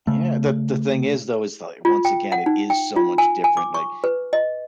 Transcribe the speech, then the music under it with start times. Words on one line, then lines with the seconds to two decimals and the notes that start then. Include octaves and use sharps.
Yeah. The the thing is, though, is that, once again, it is so much different. Like,
0.07 C#3 A3
1.85 F4
2.05 G5
2.32 F#5
2.46 D#4
2.70 G5
2.96 F4
3.18 G#5
3.44 G#5
3.57 D6
3.74 C#6
4.04 B4
4.33 D#5